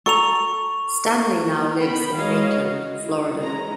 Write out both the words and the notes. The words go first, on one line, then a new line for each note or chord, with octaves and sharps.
Stanley now lives in Maitland, Florida.
A4 A#5 C#6 F7
B3 A#4 G5 B5
G#3 F#4 A#4 C#5 D#5 F5
F#4
E4
E3 G#3 C#4 A#5